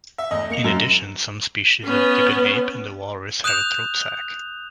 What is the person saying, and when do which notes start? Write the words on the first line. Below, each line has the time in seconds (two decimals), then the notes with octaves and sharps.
In addition some species of gibbon ape and the walrus have a throat sac.
0.18 E5
0.31 E2 A2 D#5
0.50 A#3 C#7 F7
0.64 F#2
1.84 B3 C#4
3.44 D#6 F#6 G6 E7 F7